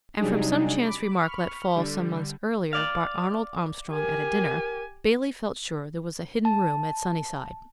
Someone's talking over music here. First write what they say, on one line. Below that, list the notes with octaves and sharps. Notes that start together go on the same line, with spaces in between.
And from some chance remark let fall some months earlier by Arnold Armstrong at a dinner, Bailey felt sure there was a hidden room at Sunnyside.
C3 F#3 G3 D4 D#4 G#4
B5 D6
B5 C#6 F6
D3 G3
D5 F5
G4 A#4 G#5
A5